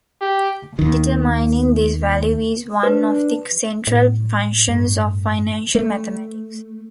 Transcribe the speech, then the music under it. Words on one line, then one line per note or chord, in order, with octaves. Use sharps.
Determining this value is one of the central functions of financial mathematics.
G4
D#2 D#3
D4 B4
A2
G2 A3
A3